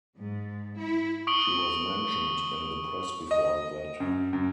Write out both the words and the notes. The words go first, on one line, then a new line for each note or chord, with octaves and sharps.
She was mentioned in the press before that.
G#2
E4
C#6 D#6 D7 F#7 G7
D#5
F#2
F#2